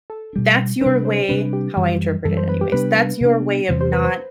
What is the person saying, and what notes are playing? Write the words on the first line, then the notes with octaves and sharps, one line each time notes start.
that's your way- how I interpret it anyways- that's your way of not
A4
B2 G3 D4
C3 G3 D4 B4
C5
C3 G3 D4 B4
G4
F#2 E3 G3
F#2 E3 G3 A4
C5
B4
G4
C3 G3 B3 D4 B4
C3 G3 B3 D4
E2 C3 E3 G3 C5
C5
B4
C5